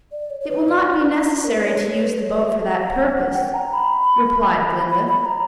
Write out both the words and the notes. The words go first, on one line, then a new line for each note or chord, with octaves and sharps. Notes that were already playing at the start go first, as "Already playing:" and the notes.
"It will not be necessary to use the boat for that purpose," replied Glinda.
D5
C#5
C#5
B4
D5
A#4
B4
C#5
C#5
B4
C#5
D5
E5
F#5
F#5
G5
A#5
B5
B5
B5
B5
A#5